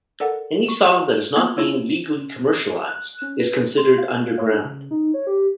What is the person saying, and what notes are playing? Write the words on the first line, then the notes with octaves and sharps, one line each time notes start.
Any song that is not being legally commercialized is considered underground.
A4 A#4 D5 F#5
C#6
A#3 B3 F4 B4 F#6 G#6
D4 E4 F4 C#5 E6
F#6
C#4
B4
C6
F5
C#5
D4
C#3
D#4
C#5
G4